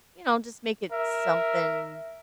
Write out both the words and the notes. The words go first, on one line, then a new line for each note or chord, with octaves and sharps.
you know, just make it something.
A#4 E5